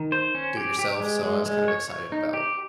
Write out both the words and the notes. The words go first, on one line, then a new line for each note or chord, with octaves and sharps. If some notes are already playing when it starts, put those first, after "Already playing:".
do it yourself. So, I was kind of excited about
Already playing: D#3
C5
C#4
G4
G4
G#3
G#3
G#3
C#5
C#5
D#4
G4